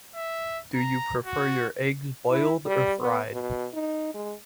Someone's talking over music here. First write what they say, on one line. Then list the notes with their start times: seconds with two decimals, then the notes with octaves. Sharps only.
Do you prefer your eggs boiled or fried?
0.16 E5
0.75 A#5
1.26 F#4
2.30 E4
2.65 G3
3.00 B3
3.32 B2
3.73 D#4
4.14 G#3